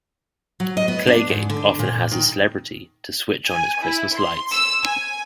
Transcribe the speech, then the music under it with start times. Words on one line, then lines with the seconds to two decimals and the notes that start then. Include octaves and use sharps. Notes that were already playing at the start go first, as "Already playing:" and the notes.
Claygate often has a celebrity to switch on its Christmas lights.
0.60 F#3
0.77 D#5
0.88 B3
1.07 D4
1.29 G#2
1.50 D3
1.79 A#2
2.11 D#3
3.47 G#5
3.83 E4
4.15 C6
4.52 E6
4.86 G#5